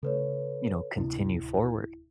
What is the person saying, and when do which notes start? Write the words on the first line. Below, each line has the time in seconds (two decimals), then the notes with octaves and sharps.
you know, continue forward,
0.03 C#3 A3 A4 B4 C#5
0.97 D1 C3 D4 E4